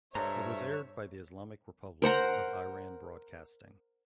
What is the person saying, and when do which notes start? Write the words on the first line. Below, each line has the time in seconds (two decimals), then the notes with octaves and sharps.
It was aired by the Islamic Republic of Iran Broadcasting.
0.15 G2 A4 C5 C#5 E5 A#5
2.02 A#4 C5 F#5 A#5